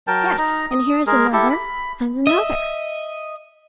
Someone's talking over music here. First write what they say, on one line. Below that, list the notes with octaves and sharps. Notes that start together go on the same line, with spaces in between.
Yes--and here is another, and another.
F#3 A#4 G5 A5
D#4 A#5
D#6
G#3 G#4 A#4
E4 G4 A4
B5
D#5 E5